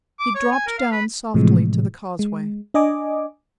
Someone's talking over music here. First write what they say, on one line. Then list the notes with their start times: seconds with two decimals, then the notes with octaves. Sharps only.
He dropped down softly to the causeway.
0.19 D6
0.35 C#5
0.52 G#5
0.67 A#4
0.79 F5
0.92 B4
1.34 A2 C3 E3 F3 G#3
2.19 G#3
2.74 D4 D#5 G#5 D6